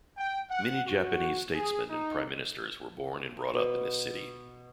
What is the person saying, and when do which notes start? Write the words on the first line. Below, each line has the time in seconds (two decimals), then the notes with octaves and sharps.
Many Japanese statesmen and Prime Ministers were born and brought up in this city.
0.17 G5
0.49 F#5
0.86 F#4
1.55 G#4
1.89 D#4
3.54 B2